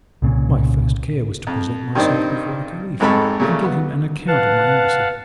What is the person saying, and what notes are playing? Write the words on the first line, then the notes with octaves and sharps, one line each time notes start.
My first care was to present myself before the Caliph, and give him an account of my embassy.
C2 A#2 C#3
F2
G2 D#3 C4 D4 D#4
G#1 F2 G#2 A4 B5 C#6
A#2 C#3 A3
B3
B4 F5 F#5 A5